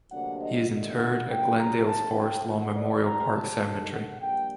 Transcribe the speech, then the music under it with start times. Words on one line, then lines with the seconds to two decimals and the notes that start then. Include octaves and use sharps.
He is interred at Glendale's Forest Lawn Memorial Park Cemetery.
0.10 D2 C3 F#3 A#3 D4 F#5
0.41 D#5
0.69 D#2 D3 A3 D#5
0.98 F#5
1.28 A#1 A#2 F#3 G5
1.57 A#5
1.86 G1 G2 D#3 A3 A5
2.15 G5
2.45 A2 A3 D#4 F#5
2.74 D5
3.04 A1 A2 G3 C4 A#5
3.32 A5
3.62 G2 D#3 A3 D#4
3.91 F#5
4.20 A#1 A#2 G3 G5